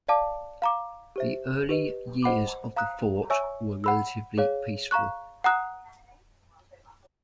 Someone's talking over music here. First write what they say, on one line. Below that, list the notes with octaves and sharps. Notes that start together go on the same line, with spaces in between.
The early years of the fort were relatively peaceful.
D5 F5 A5 D6
F5 A#5 D6
G4 C5 E5
G4 B4 D#5
C5 D#5 F#5 B5 D6
F5 A#5 D#6 F#6
C#5 E5 G#5 C#6 E6
F#5 B5 E6
G#4 C#5 F5
F5 A#5 C#6 F#6
F#5 A#5 D#6 F#6